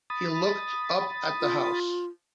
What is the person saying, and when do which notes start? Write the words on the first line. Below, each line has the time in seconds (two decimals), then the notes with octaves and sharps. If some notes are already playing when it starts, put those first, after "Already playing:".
He looked up at the house.
0.10 B5 D#6 A6
1.41 F4